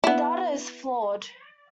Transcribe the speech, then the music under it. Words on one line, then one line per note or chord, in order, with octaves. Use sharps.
The data is flawed.
B3 E4